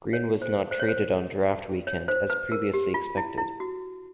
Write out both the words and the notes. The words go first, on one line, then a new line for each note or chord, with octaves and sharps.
Green was not traded on draft weekend as previously expected.
C#5
C5
C5
C#5
C5
C#5
C5
B4
A#4
G4
F4
E4
E4
F#4